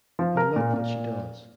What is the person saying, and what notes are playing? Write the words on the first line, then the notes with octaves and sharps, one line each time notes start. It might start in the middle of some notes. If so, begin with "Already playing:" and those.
I love what she does.
F3
A#4
A#2
A#2